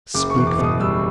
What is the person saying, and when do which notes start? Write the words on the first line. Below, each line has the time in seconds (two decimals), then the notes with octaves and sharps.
Speak, Father.
0.14 F#1 D6
0.30 C#6
0.36 E2
0.47 D6
0.58 B2
0.63 D#6
0.79 G3 E6